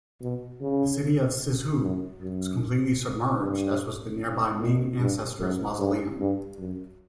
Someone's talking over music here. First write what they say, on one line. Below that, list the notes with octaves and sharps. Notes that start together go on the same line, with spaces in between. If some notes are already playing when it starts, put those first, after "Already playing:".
The city of Sizhou was completely submerged, as was the nearby Ming Ancestors Mausoleum.
B2
C#3
F#2
F#2
G2
A#2
G2
F#2
G2
G2
F#2